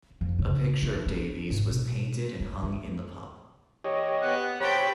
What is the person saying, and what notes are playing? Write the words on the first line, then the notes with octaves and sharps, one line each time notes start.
A picture of Davies was painted and hung in the pub.
F2
C#3
A3
D4
G#2
B2
F#3
A3
G4 C#5 D#5
B3 F#5
G4 A4 C5 C#5 G5 B5